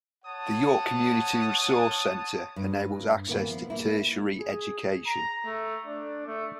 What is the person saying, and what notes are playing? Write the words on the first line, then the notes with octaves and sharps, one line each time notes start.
The York Community Resource Centre enables access to tertiary education.
C#5 F#5 A5 D#6
G2
A#2 D#3 B3 E4
F3
A#3 E4
G#4
A#5
A3
D4
A3